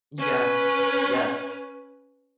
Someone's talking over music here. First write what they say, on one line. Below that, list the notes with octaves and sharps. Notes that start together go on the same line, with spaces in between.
Yes. Yes.
C#4 B4